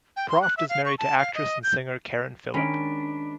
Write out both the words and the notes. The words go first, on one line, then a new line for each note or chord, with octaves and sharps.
Proft is married to actress and singer Karen Philipp.
G5
C6
F#6
E5
F5
C#6
A5
F5
D#5
G6
D#3 G#3 C#4 D4 B5 B6 D7